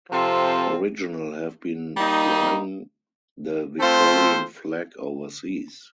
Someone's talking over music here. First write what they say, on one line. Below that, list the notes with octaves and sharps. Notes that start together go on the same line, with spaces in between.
Original have been flying the Victorian flag overseas.
C3 F3 C4 F4 A4
G3 A#3 D#4
A3 C4 F4 A4 C5